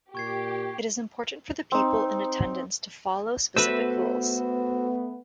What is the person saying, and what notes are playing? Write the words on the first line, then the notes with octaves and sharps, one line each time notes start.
It is important for the people in attendance to follow specific rules.
A#2 G4 C#6 G#6 C7
C4 D#4
A3 B3 F#4 A4 B4 C5 E5